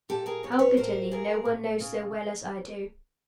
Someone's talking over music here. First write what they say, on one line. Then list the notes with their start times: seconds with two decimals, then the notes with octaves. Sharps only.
How bitterly no one knows so well as I do.
0.09 A#2 G4 A4
0.26 G#4 A#4
0.43 A2 C#5
0.52 D5
0.59 B4 C#5
0.77 A2 A#4 C5
1.11 A#2 G#4 A#4
1.45 A#2
1.80 C#3